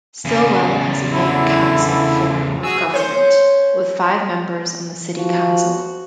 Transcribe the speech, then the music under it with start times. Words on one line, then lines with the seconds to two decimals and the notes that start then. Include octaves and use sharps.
Stilwell has a mayor-council form of government, with five members on the city council.
0.25 E2 C#3
1.12 D3 E4
2.64 F#4 G#4 E6
2.94 C#4 C5 C#5
5.17 F3 F#4